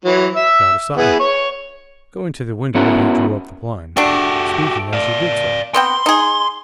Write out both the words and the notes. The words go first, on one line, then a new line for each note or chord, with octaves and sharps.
'Not a sign.' Going to the window he drew up the blind,--speaking as he did so.
E3 F#3
E5 E6
B3 E4 G#4
C#5 C#6
B3 C#4 E4 F#4 A#4
A3 D4 F#4 G4
D5 F5
B3 C4 G5 C6
D#4 G#4